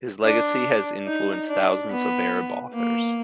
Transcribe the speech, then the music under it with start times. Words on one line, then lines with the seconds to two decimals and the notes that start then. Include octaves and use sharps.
His legacy has influenced thousands of Arab authors.
0.24 D4
1.07 D#4
1.49 D4
1.90 B3
2.74 A#3